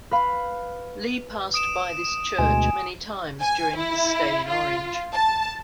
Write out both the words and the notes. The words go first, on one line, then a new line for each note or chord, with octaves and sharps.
Lee passed by this church many times during his stay in Orange.
B4 F5 B5
D#6 D7 E7
D2 B2 G#3 G#5
G#5
E4
F4
A5